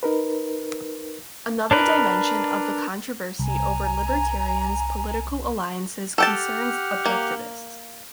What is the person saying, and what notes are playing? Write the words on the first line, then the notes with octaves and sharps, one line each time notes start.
Another dimension of the controversy over libertarians' political alliances concerns Objectivists.
D#4 A#4 B4
D4 A#4 B4
C2 G#5 A#5
G4 A4 F#5 G5 A5 F6
A#3